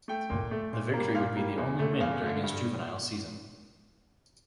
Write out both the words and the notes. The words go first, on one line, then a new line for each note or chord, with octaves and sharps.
The victory would be the only win during his juvenile season.
A3 G5
A#2
A3
A#2
G3 A#3
A#2 F5
G3 A#3
E2
D3 A3
E2 F5
D3 A3
G2